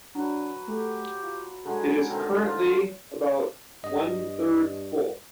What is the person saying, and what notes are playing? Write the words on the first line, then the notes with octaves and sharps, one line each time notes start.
It is currently about one third full.
F#3 D4 B4
A3 G4
F4
D3 F#3 G#3 G#4 G#5
D3 D#3 C4 A#5
F4
G2 D#5